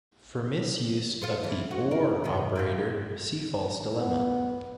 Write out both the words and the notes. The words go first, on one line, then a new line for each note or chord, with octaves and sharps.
For misuse of the "or" operator, see false dilemma.
F4 A4 C5
E3
F#4
A#4
G#2 C3 D#3
C4 E4 F4
B3